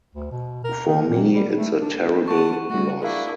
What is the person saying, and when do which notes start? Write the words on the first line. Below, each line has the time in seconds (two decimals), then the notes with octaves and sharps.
For me, it's a terrible loss.
0.15 D2
0.31 B2
0.64 A#4
0.87 D#3
1.08 A#2
1.33 G3
1.55 A3
1.82 D4
2.28 F#5 A5 C#6
2.70 G3 A3 F#4
3.01 D4 E4 G#4 A#4 F5